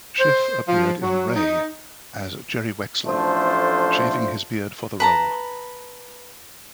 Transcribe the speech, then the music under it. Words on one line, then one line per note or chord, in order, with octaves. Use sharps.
Schiff appeared in "Ray" as Jerry Wexler, shaving his beard for the role.
C5
F3
F#3
D#4
A1 F3 A3 D4 C5
B4 A5 A#5